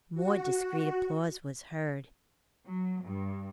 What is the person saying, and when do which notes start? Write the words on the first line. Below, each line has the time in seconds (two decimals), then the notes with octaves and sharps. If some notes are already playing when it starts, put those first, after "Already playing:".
More discreet applause was heard.
0.15 F#4
2.65 F#3
3.02 G2